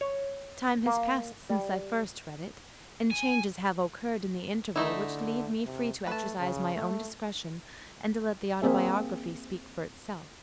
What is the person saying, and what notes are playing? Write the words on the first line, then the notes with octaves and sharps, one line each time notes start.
Time has passed since I first read it, and changes have occurred in the interval, which leave me free to exercise my own discretion, and to let the autobiography speak for itself.
C#5
A#3
G3
G#5
D3 A3 D#4 E4
C3
A3 B4 A5
C#3
A3
A#3 C4 G#4 E5